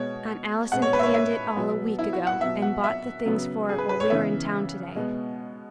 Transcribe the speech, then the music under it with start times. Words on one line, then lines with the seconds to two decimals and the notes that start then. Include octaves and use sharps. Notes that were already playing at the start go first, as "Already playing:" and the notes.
Aunt Allison planned it all a week ago, and bought the things for it while we were in town to-day.
Already playing: B2 G#3 B3 C#5
0.72 B2 G#3 B3 F#5
0.82 C#5
0.93 B4
0.99 E5
1.03 C#5
1.14 E5
1.56 B2 F#3 B3
1.99 E4
2.13 F#4
2.27 F#5
2.41 B2 F#3 B3 E5
2.62 F#5
2.84 E5
3.26 C#3 F#3 B3
3.69 G#4
3.78 B4
3.89 B4
4.00 C#5
4.10 C#3 E3 B3 E5
4.95 B2 G#3 B3